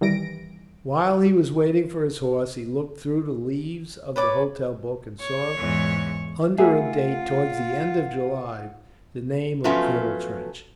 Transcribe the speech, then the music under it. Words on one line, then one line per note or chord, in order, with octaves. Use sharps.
While he was waiting for his horse he looked through the leaves of the hotel book, and saw under a date towards the end of July the name of Colonel Trench.
D#3 E3 G3 A#6 D7
B4 C#5 D5 D6
C#5
E2 G#2
A3 F4 G#4 A#4 E5 F#5
F3 F#3 A3 B3 C#4 F4